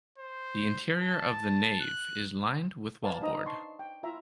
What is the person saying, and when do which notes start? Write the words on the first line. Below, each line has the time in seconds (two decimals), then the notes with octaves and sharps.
The interior of the nave is lined with wallboard.
0.18 C5
0.98 A5
1.81 F#6
3.03 B4 D5 F5 F#5 G#5 A5
3.21 D4 D#4 C5 D#5 A#5 D#6
3.46 A5 C6 C#6
3.79 G5
4.03 E4 F4 E5 A#5